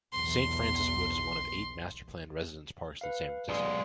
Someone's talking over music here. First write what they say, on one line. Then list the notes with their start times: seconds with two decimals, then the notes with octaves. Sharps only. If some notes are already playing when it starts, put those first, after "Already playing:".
Saint Francis Wood is one of eight master-planned residence parks in San Francisco.
0.13 B1 E2 C6
3.01 B4 F5
3.49 B1 G#3 D5 F5